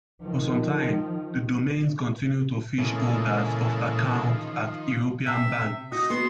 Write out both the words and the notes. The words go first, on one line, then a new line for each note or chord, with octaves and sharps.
For some time the domains continued to phish holders of accounts at European banks.
D#3 F3
A#2 C#3 E3 G#3 A4
D#3 F3
C3 E5
F#4 D#5
B3 F#4 C6